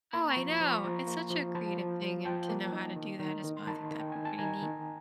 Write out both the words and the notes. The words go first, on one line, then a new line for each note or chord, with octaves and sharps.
Oh, I know, it's such a creative thing and to know how to do that as well, I think that'd be pretty neat.
A#3 A#5 C6
B5 C#6
F3
F3
B5 C#6
F3 A#5 C6
A#3
F3
F3 A5 B5
F3
F3
F3 G5 A5
A#3
D#4
D#3
D#3
D#3
C6
D#3 A5 B5
D#3
G5
D#3 G#5
A5
D#3 G#5 A#5
D#3